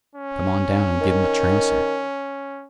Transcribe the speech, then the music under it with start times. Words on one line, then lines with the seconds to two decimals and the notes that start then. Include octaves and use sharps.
"Come on down, and give 'em a trouncing."
0.15 C#4
1.01 D#3